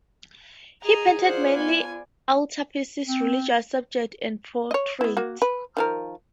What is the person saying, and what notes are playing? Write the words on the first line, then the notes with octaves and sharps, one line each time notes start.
He painted mainly altarpieces, religious subjects and portraits.
G#4 D#5 A#5
F4 C5 D5 F#5
B3 G#5
C4
C#5 D#5
B3 E4
A#3 F#4
B4
D#3 F3 A#4